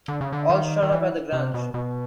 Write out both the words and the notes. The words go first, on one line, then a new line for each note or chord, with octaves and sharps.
All’s shut up at the Grange.
D3
C#3
D3
D#3
D#3
E3
C3
B2
B2